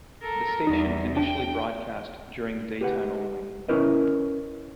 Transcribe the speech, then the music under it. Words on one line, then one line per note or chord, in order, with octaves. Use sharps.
The station initially broadcast during the daytime only.
A4 A#4
E2 G3 D#4
D4 G5
G4 B4 F#5
C#4 E4 A#4 B4 D#5